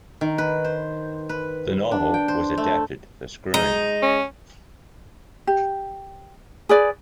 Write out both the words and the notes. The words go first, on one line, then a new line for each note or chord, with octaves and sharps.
The novel was adapted for screen.
D#3
B4
C5
B4
D4
G5
C5
A3
G#3 D#4 D#5
C#4
G4
G#4 B4 D5